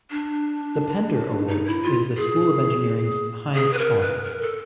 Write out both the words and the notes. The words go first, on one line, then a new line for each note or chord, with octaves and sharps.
The Pender Award is the School of Engineering's highest honor.
D4
D#4
E4
F4
G#4
G#4
B4
A#4
B4
A#4
A4